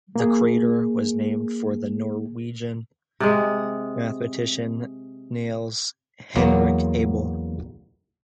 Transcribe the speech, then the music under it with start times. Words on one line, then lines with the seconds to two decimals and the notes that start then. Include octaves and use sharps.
The crater was named for the Norwegian mathematician Niels Henrik Abel.
0.16 A#3 G#4
3.20 C3 G#3
6.36 E2 F#3 A#3 B3